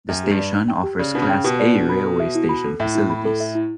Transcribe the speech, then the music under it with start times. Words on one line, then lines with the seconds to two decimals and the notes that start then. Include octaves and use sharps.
The station offers Class A railway station facilities.
0.09 F#2 G5
0.23 G4
0.31 G2
0.39 D5
0.54 D4
0.68 G5
0.83 G4
0.99 C#3 D5
1.14 B2 D4
1.22 C#3
1.30 G5
1.44 B2 G4
1.60 D5
1.74 D4
1.89 B5
2.05 A4
2.20 E5
2.35 E4
2.49 B5
2.65 A4
2.80 A2 E5
2.95 E4
3.10 B5
3.25 A4
3.40 E5
3.55 E4